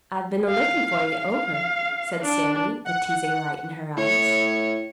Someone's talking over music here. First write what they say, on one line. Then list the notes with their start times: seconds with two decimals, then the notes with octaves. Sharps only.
"I've been a lookin' for you over," said Sammy, a teasing light in her eyes.
0.49 F5
1.21 F5
2.22 D4
2.85 F#5
3.97 A2 C#5